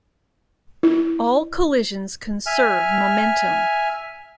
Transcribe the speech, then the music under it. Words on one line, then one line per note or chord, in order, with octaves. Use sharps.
All collisions conserve momentum.
E4
E5 G#5 F6